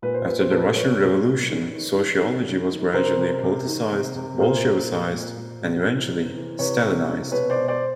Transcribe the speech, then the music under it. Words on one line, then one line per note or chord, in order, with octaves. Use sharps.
After the Russian Revolution, sociology was gradually "politicized, Bolshevisized and eventually, Stalinized".
A#2 B4
C5
A#2 B4
C5
A#2 A4 B4
A#2 B4 C#5
A#2
A#2
D#3
D#3
D#3
D#3
D#3
D#3
C3 A#4 C5
C3
C3
D#3
C3
C3
A#2 A#4 C5
A#2
A#2
A#2
A#2
A#2
E3
C3
E3
C3 B4 C#5
E3
C3
B2 B4 C#5
C5 D5
B2
C5 D5